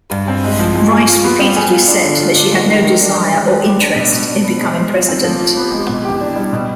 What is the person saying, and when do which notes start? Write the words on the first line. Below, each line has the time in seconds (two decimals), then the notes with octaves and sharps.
Rice repeatedly said that she had no desire or interest in becoming president.
0.11 G2
0.28 C4
0.44 G#3
0.59 F3
0.76 G#3
0.92 G#4
1.08 F4
1.24 B3
1.39 G3
1.56 G#4
1.71 F4
1.88 D4
2.04 D3
2.20 F4
2.36 D4
2.52 G#3
2.68 D#3
2.84 D#3
3.01 D4
3.16 G3
3.33 G#3
3.48 B4
3.64 G4
3.81 D4
3.96 B2
4.12 B2
4.29 D4
4.44 B3
4.61 G#3
4.76 C5
4.92 F4
5.09 C4
5.24 F3
5.40 F4
5.57 B3
5.72 G#3
5.89 B2
6.05 G4
6.21 D4
6.36 G3
6.53 B2